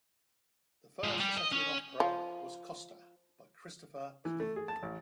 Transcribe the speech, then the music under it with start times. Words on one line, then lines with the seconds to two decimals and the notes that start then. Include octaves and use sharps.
The first Ossetian opera was "Kosta", by Christopher Pliev.
1.04 F3 G#3
1.20 G3
1.37 D#5
1.52 C#4
2.00 F3
4.25 E3
4.40 A3
4.56 G#4
4.68 A5
4.83 A1